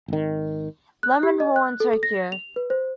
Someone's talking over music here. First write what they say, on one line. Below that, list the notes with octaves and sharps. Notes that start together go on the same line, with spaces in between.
Lemon Hall in Tokyo.
G#1 D#3
F#6
G4
D#5
F#6
A4
A#6
F7
B4
C5